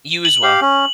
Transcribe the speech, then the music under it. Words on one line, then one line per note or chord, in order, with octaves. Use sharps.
You as well.
F#7
G4 F5
C#4